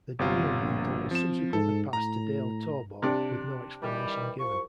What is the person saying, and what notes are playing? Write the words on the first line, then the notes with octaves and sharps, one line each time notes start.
The Demon mantle was subsequently passed to Dale Torborg with no explanation given.
G1 C3 F4
A#1
F3 C4 E7
G#2 A4
A2 A#5
C3 D4
D#3 E3 G3
C2 F3 C#6